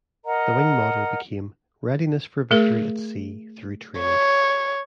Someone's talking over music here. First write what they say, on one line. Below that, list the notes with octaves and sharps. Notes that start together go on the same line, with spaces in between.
The Wing motto became Readiness for Victory at Sea through Training.
A#4 D#5 F#5 A#5
A3 G#4 A#4
C#5